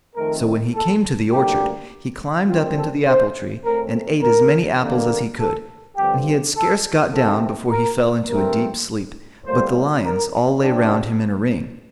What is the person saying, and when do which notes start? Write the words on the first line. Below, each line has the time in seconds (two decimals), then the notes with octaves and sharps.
So when he came to the orchard, he climbed up into the apple tree and ate as many apples as he could, and he had scarce got down before he fell into a deep sleep; but the lions all lay round him in a ring.
0.16 F2 D#3 A3 C4 A#4
0.74 A4
1.32 D2 D3 G3 A#3 G4
2.48 A#1 A#2 G3 C4 F4
2.77 A4
3.06 C5
3.64 A2 A3 C4 A#4
4.22 A#4
4.80 F2 D3 G3 A#3
5.39 A4
5.97 G2 D3 F3 C4 G4
6.56 A4
7.13 C2 C3 D#3 A3 C4 A4
7.71 A#4
8.29 G2 F3 A3 C4 A#4
9.45 A2 G3 A#3 C5
10.04 A#4
10.62 C2 C3 F3 C4 D4